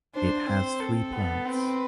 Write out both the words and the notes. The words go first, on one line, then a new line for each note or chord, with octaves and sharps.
It has three plants.
D4 C5
C4 C5
A4
B3
C4 B4